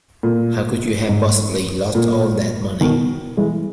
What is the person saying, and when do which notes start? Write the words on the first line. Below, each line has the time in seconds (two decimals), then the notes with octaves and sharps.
How could you have possibly lost all that money?
0.23 A#2
1.09 G#2
1.95 A#2
2.81 B2 D#3
3.37 E3 G#3